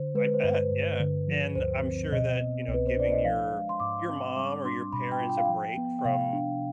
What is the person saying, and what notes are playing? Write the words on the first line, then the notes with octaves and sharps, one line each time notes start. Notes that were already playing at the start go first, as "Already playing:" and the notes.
I bet. Yeah. And I'm sure that, you know, giving your your mom or your parents a break from
Already playing: D3 C5
G#3 B4
C5
G2 B4
G2
D3
F3
D2 C5
C4
B2 D#5
B3
C2
B4
C5
D4 D5
D#5
F3 F5
G#3
C6
G#2 D6
C4
G3 D6
D4 C6
B2 B5
G5
F4
G5
F5
F3 G5
B3
G5
C3 F5
D4